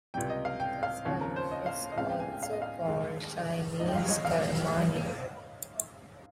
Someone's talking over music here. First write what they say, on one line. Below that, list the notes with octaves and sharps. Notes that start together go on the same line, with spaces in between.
This color is also called Chinese carmine.
C#2 C3 G3 G5
D#5
F5
G5
F5
D#2 C#3 F3 C4 C#5
A#4
C5
D#5
F5
D#5
C#2 C#3 G#3 C4 F5
G5
G#5
G5
F5
D#5
F5
F1 D#2 D#3 G#3
A#1 G#2 F3 D#5
G5
F5
C#5
D#5
F5